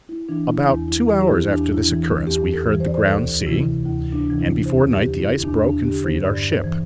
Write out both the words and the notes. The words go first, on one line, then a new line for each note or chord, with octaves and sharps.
About two hours after this occurrence we heard the ground sea, and before night the ice broke and freed our ship.
E4
E3 D4
E4
E2 E4
E4
E3 G4
G4
E4
E2 D4
E4
E3
E2 G4
A4
E3
C5
D5
C5
D2 A4
C3 E3 E4
D2 E4
D4
C3 E3
E4
E2 C5
G4
D3
E4
E2 D4
D4
D3 G4
C5
G2 D5
C5
E3